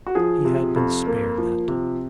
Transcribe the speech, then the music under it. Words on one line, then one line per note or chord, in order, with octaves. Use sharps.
He had been spared that!
F#4
F3 G#4
C3
F2
A#3
F3
C3